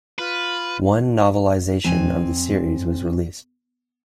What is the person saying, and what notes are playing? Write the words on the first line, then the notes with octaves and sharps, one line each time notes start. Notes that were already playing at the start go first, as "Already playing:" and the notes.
One novelisation of the series was released.
F4 B4
F2 C4 G#5